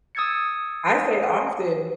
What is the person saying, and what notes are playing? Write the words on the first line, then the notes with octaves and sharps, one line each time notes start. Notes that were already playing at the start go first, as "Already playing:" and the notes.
I say often
D#6 E6 G#6 A6 C#7